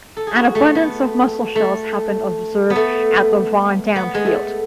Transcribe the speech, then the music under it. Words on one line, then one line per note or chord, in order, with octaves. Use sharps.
An abundance of mussel shells have been observed at the Von Damm field.
A4
G#4
F#4
A3
B3
A3
B3
A3
B3
G#3
A3